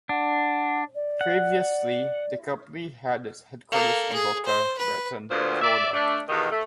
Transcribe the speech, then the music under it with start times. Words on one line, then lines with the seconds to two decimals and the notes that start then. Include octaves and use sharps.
Previously the company had its headquarters in Boca Raton, Florida.
0.09 D4 F#5
0.95 D5
1.21 F#5
3.71 A#3 A4
4.14 G#4
4.46 C5
4.78 B4
5.31 D2 A#2 D3 B3 C5
5.61 D5 E5
5.93 A3 D4
6.28 E2 G2 B2 D#3
6.51 A3